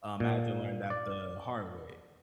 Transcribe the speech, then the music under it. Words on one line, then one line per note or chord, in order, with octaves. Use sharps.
um, I had to learn that the hard way.
A#2
D5